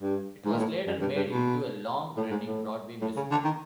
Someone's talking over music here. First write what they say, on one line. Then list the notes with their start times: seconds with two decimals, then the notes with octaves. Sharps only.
It was later made into a long-running Broadway musical.
0.02 G2
0.45 G#2
0.52 A#2
0.59 A2
0.87 F#2
1.01 G2
1.16 G2
1.30 B2
2.17 A2
2.31 G#2
2.44 A2
3.01 A2
3.17 C#3
3.31 D3
3.44 D#3